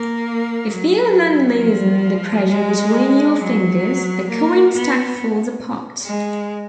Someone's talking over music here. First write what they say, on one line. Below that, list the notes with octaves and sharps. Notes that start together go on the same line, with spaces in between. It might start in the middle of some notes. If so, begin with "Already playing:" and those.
If you then loosen the pressure between your fingers, the coin stack falls apart.
Already playing: A#3
F#3
F3
G#3
F#3
A#3
B3
G#3